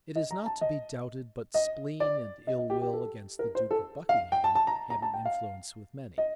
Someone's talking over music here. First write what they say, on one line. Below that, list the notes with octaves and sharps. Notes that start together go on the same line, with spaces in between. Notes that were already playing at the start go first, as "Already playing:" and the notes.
It is not to be doubted, but spleen and ill will against the duke of Buckingham had an influence with many.
D#5
A#5
A5
D#5
D#5
D5
D#5
D#5
G4
G4
A4
A#4
C5
A4
F5
G5
A5
A5
A#5
A#5
A5
G5
F5
D#5